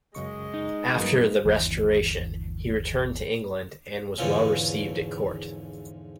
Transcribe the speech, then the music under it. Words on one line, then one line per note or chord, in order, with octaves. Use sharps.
After the Restoration he returned to England, and was well received at court.
F#2 C#3 G#3 D#5 C#6
D#4
G2 F#3 A#3 D#4 B4
G1 D#2 E3
E2 G#2 D3 E3 F3 C#4